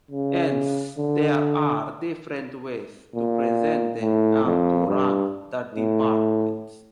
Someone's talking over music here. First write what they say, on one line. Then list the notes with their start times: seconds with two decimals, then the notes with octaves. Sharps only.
Hence, there are different ways to present them and to rank the departments.
0.11 C#3
0.98 D3
3.15 A#2
4.01 A2
4.45 F2
4.88 G2
5.75 A2